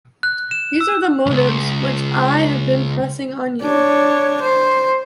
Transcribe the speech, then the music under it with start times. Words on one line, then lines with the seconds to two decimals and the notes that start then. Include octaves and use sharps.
These are the motives which I have been pressing on you.
0.23 F#6
0.51 E7
0.81 E6
1.26 C#2 G2
3.62 D4 C#5
4.41 C5